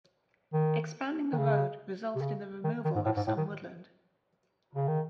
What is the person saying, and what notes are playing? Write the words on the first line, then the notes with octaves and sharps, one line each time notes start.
Expanding the road resulted in the removal of some woodland.
D#3
D#3
C#3
C3
C#3
D#3
D#3
G#2
A2
G#2
A2
D#3
C#3
D#3